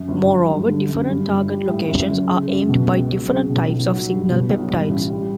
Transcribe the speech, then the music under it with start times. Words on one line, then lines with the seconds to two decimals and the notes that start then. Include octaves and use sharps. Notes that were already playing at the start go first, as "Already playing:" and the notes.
Moreover, different target locations are aimed by different types of signal peptides.
Already playing: F#2
0.08 G1
0.28 F#3
0.48 G2
0.68 D3
0.88 F#2
1.08 G2
1.28 G1
1.49 G3
1.68 A2
1.89 F#2
2.08 F#1
2.28 C#3
2.48 F#2
2.69 B2
2.89 C#2
3.09 F#3
3.29 C#3
3.49 B2
3.69 B1
3.90 F#3
4.09 G2
4.29 B2
4.49 B1
4.69 G2
4.89 A1
5.10 G3